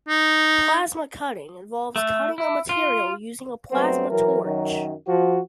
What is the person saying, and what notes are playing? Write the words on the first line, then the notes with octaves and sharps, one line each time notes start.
Plasma cutting involves cutting a material using a plasma torch.
D#4
A3
E4
F4
G2 F#3 A3 B3 C4
E3 F#3 A#4
F#2 D#3 F#3
F3 F#4